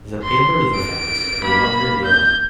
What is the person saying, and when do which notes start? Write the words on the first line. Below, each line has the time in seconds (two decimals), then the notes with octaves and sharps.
The paler the fans, the younger they are.
0.22 C6
0.75 D7
1.44 A#3 B5
2.04 G6